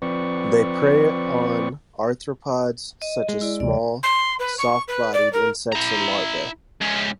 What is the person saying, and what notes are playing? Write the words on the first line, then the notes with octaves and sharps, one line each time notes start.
They prey on arthropods such as small, soft-bodied insects and larvae.
F3 C4 B4 D5 C#6
D#5
G#3
E4 D5
D2 C3 E3 D5
C6
B4
C#6
B4
D5
A#4
E4 A#5
G#2 C#4